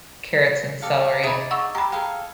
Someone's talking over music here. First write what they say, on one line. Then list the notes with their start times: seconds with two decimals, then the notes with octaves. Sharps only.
carrots and celery."
0.82 G4 A4 F5
1.23 D#4 G#4 D5 E5 B5
1.51 F#5 C#6 E6
1.75 G4 A#5 B5
1.92 G#4 A4 F5 G5 A#5